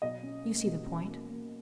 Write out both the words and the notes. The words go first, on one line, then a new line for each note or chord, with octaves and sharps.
You see the point.
B1 D#5
C#4
A#3
B2
C#4
A#3
A#3